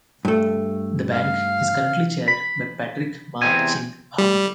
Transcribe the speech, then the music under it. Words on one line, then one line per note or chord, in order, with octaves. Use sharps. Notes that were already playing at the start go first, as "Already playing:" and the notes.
The bank is currently chaired by Patrick Ma Ching Hang.
G2 A3
F5
B5
E2 C3 C4 G#5
G3